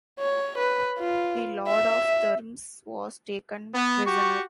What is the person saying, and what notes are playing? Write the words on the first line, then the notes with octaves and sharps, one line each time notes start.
The lord of Thermes was taken prisoner.
C#5
B4
F4
E5
B3
F#4 G4 C#6